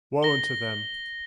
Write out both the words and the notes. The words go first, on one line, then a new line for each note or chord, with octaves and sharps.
Woe unto them!
A#6 G7